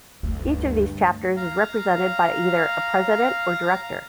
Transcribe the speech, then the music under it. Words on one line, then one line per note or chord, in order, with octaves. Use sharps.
Each of these chapters is represented by either a president or director.
D2 G2 A3
F5 A#5